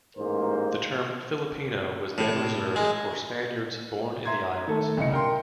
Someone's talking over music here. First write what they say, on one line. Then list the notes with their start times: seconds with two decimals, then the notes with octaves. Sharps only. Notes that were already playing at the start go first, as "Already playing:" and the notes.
The term "Filipino" was then reserved for Spaniards born in the islands.
0.17 A1 G#2 A#3 A#4 C5
2.18 A2
2.76 G#3
4.25 E5 A#5 C6 G#6
4.67 D#3 A3 A4
4.97 C2 C#3 D#5 C#7
5.12 A#4 G5 C6